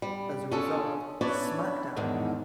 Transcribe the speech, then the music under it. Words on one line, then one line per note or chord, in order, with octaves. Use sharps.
As a result, SmackDown!
G3
C#4 D4 F4 G#4 A4
C#4 D4 E4 B4 C#5 D5
E2 G#2 D3 D#3